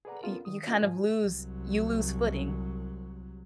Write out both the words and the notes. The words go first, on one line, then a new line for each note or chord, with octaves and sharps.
y you kind of lose you lose footing.
G#4 A4 B4 D5 F#5 A#5
B3 C#4 F4 A4 A#4
D#3 D#6
C#4 F4 F#4 A#4 B4 D#5
G#2 F3 G#5
C2 F#3